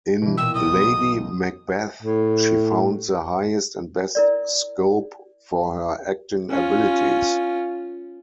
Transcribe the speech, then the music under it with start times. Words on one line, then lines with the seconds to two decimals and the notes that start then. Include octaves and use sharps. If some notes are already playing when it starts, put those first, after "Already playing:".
In Lady Macbeth she found the highest and best scope for her acting abilities.
0.22 B2 E3
0.37 A#2 G5 E6
0.55 B1 D#6
0.69 F#1 B3
2.03 A2
4.15 E4 A#4 D5
6.50 C#4 F4